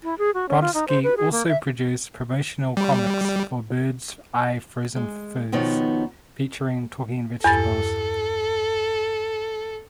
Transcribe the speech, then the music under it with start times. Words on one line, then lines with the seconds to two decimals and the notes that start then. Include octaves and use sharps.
Brodsky also produced promotional comics for Bird's Eye frozen foods, featuring talking vegetables.
0.03 E4
0.18 G#4
0.34 F#4
0.49 C#4
0.61 F4
0.74 D#4
0.88 C5
1.03 B4
1.17 G#4
1.32 A#3
1.48 E5
2.77 G3
4.96 G#3
5.52 B2 D#3 F3 B3 D#4 C#5
7.44 E2 G2 A4 A6